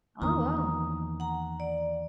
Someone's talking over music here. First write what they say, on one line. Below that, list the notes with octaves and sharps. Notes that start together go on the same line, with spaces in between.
Oh, wow.
E2 D#3 A#3 A#5 D#6
F#5 A#5
D5